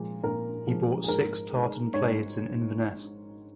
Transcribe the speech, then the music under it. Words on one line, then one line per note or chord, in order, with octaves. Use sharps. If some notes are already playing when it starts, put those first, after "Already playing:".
He bought six tartan plaids in Inverness.
Already playing: A#2 F3 G#3
A#2 A#4
F3 G#3
G#4
G#2 A#4
G#3
G#2 C#5